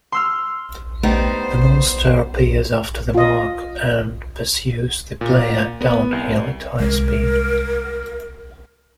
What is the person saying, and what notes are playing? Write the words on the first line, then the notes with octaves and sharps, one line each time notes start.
The monster appears after the mark and pursues the player downhill at high speed.
C6 E6 F6
G3 A3 B3 D#4 C5
F4 D#5
A#2
B3
C2
C2 G#3 A#4